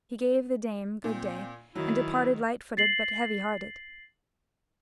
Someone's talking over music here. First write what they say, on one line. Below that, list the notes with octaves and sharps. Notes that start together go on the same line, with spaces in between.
He gave the dame good day, and departed light-foot but heavy hearted.
A#2 C4
D#3 F#3 E4
A6 C7 F#7